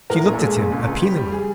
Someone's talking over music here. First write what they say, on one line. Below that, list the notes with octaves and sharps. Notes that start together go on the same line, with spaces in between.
She looked at him appealingly.
A2 A#4
A#1
A4
G#3 G#4
A#1
C#2
C#2
G3 G4
G3
G#4